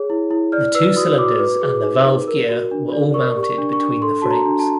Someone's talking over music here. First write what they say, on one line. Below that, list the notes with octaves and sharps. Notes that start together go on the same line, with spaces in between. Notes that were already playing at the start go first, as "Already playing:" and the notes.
The two cylinders and the valve gear were all mounted between the frames.
Already playing: G#4 C#5
E4
E4
D5 F6
B4 E6
F#4 D#6
F#4 D6
B4
G#4
D#4
D#4
A#4
F#4
D4
D5
A#4 C#6
G4
C#6
D4
C#6
D4
A4 C6
F#4 A5
A#5
D4
A5